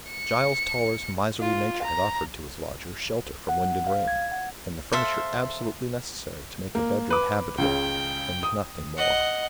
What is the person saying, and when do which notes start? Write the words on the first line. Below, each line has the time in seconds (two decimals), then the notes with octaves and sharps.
Giles Toller's miserly nature had offered to his lodger shelter from wind and rain, and the furniture absolutely necessary to make a bedroom habitable--and nothing more.
0.11 C#7
1.41 F4
1.83 A#5
3.49 F#5
3.87 F5
4.08 G#6
4.32 F#5
4.92 A4 C5 E5 F5
6.75 A#3
7.10 B4 D6
7.58 C#2 C#3 G5
8.43 D#6
8.97 D#5 F#5